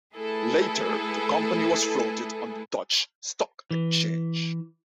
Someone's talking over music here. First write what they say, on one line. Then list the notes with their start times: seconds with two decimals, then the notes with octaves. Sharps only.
Later the company was floated on the Dutch stock exchange.
0.14 A3 E4 G#4 A4 B4
3.71 E3